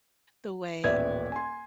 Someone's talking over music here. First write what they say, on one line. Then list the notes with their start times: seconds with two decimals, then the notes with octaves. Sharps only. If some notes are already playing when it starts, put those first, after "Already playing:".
the way
0.84 D#1 A1 B3 D5 E5 G#6
1.32 G#5 C6